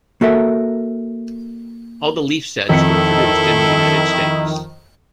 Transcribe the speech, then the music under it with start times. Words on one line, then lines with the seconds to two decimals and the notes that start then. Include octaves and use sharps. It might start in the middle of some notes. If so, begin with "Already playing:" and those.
All the Leaf sets were produced in the United States.
0.21 A#3 F#4 A4 A#4 E5
2.69 F2 D#3 E4 A4 B6 C#7